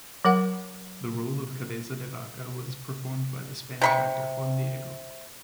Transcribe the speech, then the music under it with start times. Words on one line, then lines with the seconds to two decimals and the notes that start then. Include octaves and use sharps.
The role of Cabeza de Vaca was performed by the Spanish actor Juan Diego.
0.25 F#3 A#4 F#5
3.82 C3 B5 C#6